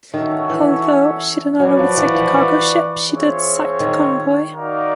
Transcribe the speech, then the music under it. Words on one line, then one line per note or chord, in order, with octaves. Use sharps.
Although she did not overtake the cargo ship, she did sight a convoy.
D#3 C#4 F#4 A4 C#5 E5
E3
F#3 F#4 B4 D5
F3
E3
F3
E3
C4 F4 G#4 C#5 E5
D#3
D#4 F#4 A#4 D5 F5